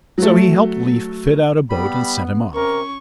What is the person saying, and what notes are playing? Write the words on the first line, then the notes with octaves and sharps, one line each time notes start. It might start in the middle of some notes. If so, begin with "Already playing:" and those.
So he helped Leif fit out a boat and sent him off.
F#3 A3
G3 B3 B5
C3 C#4 A#4 C#6